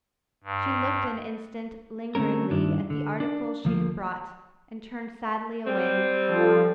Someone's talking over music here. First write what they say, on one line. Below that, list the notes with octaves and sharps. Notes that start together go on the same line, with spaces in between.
She looked an instant lingeringly at the articles she had brought, and turned sadly away.
G2
D3 A3 C4 C#4 A#4
G2 D#3 D4 E4
D3
D4
D2 F3 A#3
G3 C4
D3 F3 A4